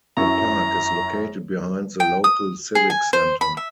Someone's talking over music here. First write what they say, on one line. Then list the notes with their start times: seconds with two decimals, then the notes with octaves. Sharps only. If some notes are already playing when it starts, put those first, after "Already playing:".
The park is located behind the local Civic Center.
0.17 F#2 E4 A#5 C#6
2.00 G5
2.24 D#6
2.75 G#4
2.90 G#5
3.13 C5
3.41 B5
3.57 E5